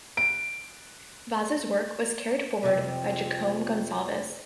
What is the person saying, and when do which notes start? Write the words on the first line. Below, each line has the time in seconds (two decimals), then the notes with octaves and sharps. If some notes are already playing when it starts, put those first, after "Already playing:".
Vaz's work was carried forward by Jacome Gonsalves.
0.17 D7
2.63 F2 C3